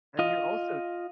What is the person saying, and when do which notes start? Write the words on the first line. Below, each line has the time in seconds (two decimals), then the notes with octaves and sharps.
And you're also
0.19 F4 D#5